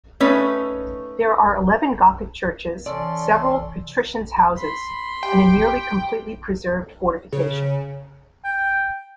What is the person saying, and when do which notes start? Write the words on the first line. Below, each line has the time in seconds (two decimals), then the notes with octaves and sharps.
There are eleven Gothic churches, several patricians' houses and a nearly completely preserved fortification.
0.20 A3 C#4 D#4 B4
2.86 C3 E3 C#4 A4 D5 C6
4.58 B5 C6
5.23 G4 G5
7.32 C#3
8.45 G5